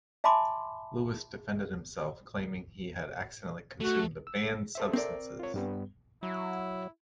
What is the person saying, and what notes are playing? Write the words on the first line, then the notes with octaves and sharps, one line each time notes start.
Lewis defended himself, claiming that he had accidentally consumed the banned substances.
E5 G#5 A5 B5 C6 D6
A3 F#4
E6
A4 C5 E5
C4 A#4 D5
F4 C#5
G2 G3 B3
F#3 E4